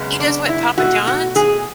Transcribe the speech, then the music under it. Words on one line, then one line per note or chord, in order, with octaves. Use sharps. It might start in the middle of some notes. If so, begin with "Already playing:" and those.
He does what Papa John's?
Already playing: F#2 C#3 G#3 B3
D4
E4
B2 A3 F#4
F#4
G#4